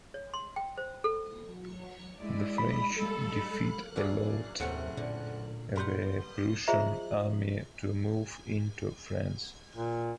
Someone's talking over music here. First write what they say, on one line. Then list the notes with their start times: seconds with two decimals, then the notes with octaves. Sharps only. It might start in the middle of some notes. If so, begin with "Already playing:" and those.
The French defeat allowed the Prussian army to move into France.
0.14 C#5
0.34 C6
0.56 G5
0.78 C5
1.04 A4
2.19 G#3 E4 D5
2.58 B5
2.94 G3 G#3 A4
3.96 D4 E4 F#4 G#4 A#4 D5
4.60 F#1 D#2 A2 C3 A3 F#5 C#7
4.97 A#2 D3
5.76 G3 A#4 B4 F#5 C6 G6
6.68 F4 G#4 C5 D#5 E5 A#5
9.76 A#2